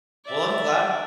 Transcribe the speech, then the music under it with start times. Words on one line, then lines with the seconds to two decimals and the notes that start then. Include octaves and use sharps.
Well, I'm glad
0.25 D5 E5